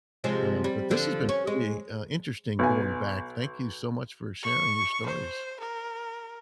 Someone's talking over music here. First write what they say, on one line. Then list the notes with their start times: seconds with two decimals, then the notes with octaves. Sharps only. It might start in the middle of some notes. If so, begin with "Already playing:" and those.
uh, but this has been really, uh, interesting going back, thank you so much for sharing your stories.
0.24 C3 F3 G#3
0.64 G3
0.91 D3 F3
1.29 C#4
1.47 G#3
2.59 B1 G#5
4.43 C#6
5.06 C5
5.60 A#4